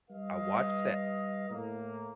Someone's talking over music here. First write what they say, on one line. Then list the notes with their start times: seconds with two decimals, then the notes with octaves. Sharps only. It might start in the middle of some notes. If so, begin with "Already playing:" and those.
I watched that
0.10 G3 B4 D#5 F5
1.49 A2 A#3